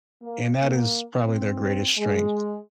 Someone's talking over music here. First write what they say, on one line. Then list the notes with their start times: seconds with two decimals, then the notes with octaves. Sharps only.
and that is probably their greatest strength.
0.22 A#3
0.61 A#3
1.26 C4
1.98 G#3